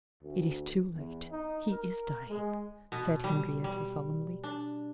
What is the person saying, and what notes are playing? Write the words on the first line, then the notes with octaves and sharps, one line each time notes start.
"It is too late; he is dying!" said Henrietta, solemnly.
D2
E2
D#4
A#4
G#3
B2
G3
G3
D4